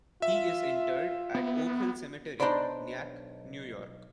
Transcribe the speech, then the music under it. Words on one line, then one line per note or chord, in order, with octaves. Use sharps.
He is interred at Oak Hill Cemetery, Nyack, New York.
F4 E5
B3
B1 D4 D#4 C5 D5 B5